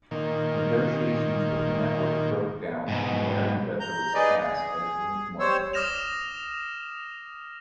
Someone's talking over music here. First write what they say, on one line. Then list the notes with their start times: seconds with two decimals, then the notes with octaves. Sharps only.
Negotiations with the network broke down and Meriwether was cast as Ruth Martin.
0.11 A#2 D#3
2.88 G#2 B2
3.80 A#5 G6
4.14 D#4 G#4 B4 D5 D#5
4.39 G#4
5.40 G3 C5 C#5 E6
5.73 D6 D#6 F6 A#6 E7 F7